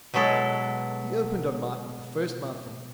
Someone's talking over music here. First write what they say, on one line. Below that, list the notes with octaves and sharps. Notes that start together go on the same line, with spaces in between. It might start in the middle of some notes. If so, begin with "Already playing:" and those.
He opened on Mike with the first mouthful.
B2 F#3 G#3 E4 A4